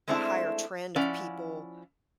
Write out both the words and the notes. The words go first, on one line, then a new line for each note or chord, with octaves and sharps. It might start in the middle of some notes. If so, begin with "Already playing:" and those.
a higher trend of people
G#3 A3 C4 D4 E4
F3 C#4 E4 D5 F#5